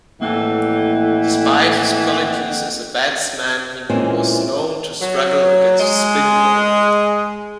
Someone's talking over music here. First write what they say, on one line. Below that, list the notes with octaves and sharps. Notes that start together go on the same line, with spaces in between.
Despite his qualities as a batsman, he was known to struggle against spin bowling.
F2 A2 E3 A#3 F#5 G5 A5
A#2 E3 G#3 C4 C#4
F#3
G#3